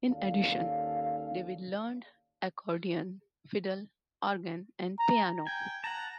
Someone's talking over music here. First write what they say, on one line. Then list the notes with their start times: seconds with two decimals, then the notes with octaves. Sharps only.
In addition, David learned accordion, fiddle, organ, and piano.
0.11 D#2 C#4 A4 D5 F5
4.99 A#5
5.47 G5 G#5
5.84 F#5 A5 A#5